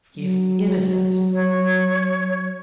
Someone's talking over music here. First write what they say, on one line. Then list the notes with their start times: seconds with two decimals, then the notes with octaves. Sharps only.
"He is innocent."
0.16 F#3
1.33 C#5